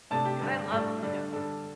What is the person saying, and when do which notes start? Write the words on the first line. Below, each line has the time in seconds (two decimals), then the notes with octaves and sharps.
'cause I love UNO,
0.11 C3 A3 D4 A5
0.25 G4
0.41 G2 D3 G3 D4
0.72 A2 G3 D4 A4
1.02 D3 G3 D4
1.33 D3 G3 D4 A4